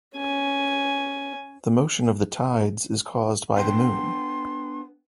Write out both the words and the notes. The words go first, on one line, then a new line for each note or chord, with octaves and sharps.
The motion of the tides is caused by the moon.
C#4 G#5
B3 D4 G5 C6